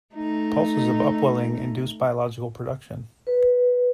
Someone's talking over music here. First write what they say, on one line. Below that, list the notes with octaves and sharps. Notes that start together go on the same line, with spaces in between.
Pulses of upwelling induce biological production.
A3 D#4
B4